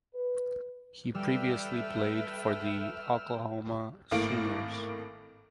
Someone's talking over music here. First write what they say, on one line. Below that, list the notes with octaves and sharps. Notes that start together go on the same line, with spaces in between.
He previously played for the Oklahoma Sooners.
B4
G3 A4 B4 E5 G5 E6 F6
G#1 A2 A3 A#3 D7